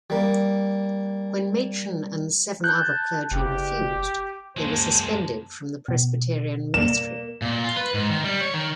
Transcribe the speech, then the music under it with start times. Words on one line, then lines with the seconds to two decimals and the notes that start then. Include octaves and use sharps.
When Machen and seven other clergy refused, they were suspended from the Presbyterian ministry.
0.10 G3 A#3
2.64 A5 F#6 G6
3.31 F#1 G4
4.57 C#2 F#2 F#3 G#3 A#3 C5 A5
5.88 B2
6.74 A#3 D5 E7
7.42 A#2
7.64 F4
7.76 B4
7.94 G#2
8.10 D#3
8.24 G3
8.41 C#5
8.54 D#3